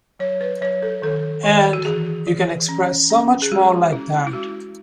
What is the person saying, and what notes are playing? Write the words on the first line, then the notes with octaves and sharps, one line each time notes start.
And you can express so much more like that.
F#3 C#5
B4
F#3 C#5
A4
D#3 A4
D#3
F#4
E3 G#4
E3
C#4
C#4
G#4
G#3 F#4
C#4 E4
E4
G#3 F#4